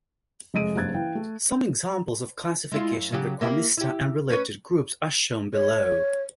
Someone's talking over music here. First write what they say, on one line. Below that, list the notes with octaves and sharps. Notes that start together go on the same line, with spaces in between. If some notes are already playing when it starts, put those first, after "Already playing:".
Some examples of classification of the Chromista and related groups are shown below.
F1 G#3 D#5 D7 D#7
F#1 G2 C5 F#6 G#6 A6
E3 F5 G5
A3
G#3 E4 F4
F#2
C#3 F#3 G4
A#3 E4 G4
E4 G4
C#4 B4 C#5
C#5